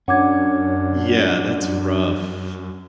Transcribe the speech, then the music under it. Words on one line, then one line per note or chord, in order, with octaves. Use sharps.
Yeah. That's rough.
F#2 C#4 D4 F#5 D6 G#6